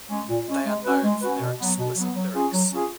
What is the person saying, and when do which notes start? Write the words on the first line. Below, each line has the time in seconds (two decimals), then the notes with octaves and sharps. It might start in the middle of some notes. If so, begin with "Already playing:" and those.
They are known for their explicit lyrics.
0.09 G#3 C#4
0.29 A#2
0.47 G#3 C#4
0.66 G#3
0.85 C#4 F#4 B4
1.04 G#3
1.22 C#4 F#4 B4
1.41 B2
1.59 F#3 B3
1.79 B2
1.96 F#3 B3
2.16 F#3
2.34 C#4 F4 G#4
2.53 F#3
2.72 C#4 F4 G#4